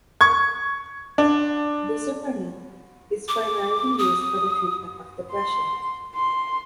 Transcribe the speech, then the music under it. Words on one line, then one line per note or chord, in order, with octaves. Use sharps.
Desipramine is primarily used for the treatment of depression.
C#6 G#6
D4
D6
D#6
C6
C6